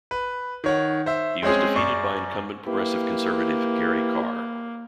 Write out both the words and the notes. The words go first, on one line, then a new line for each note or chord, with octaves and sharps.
He was defeated by incumbent Progressive Conservative Gary Carr.
B4
D#3 C#5 F#5
C5 E5
G#3 C4 C#4 G#4
F#2 D5 C#6
A#3 E4 G4 B4